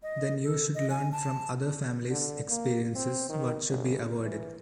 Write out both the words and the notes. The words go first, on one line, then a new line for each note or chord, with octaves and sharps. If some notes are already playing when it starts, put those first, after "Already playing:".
Then you should learn from other families experiences what should be avoided...
D#5
A4
D#5
G#5
A5
D3
A#3
C4
D#3
G1
E3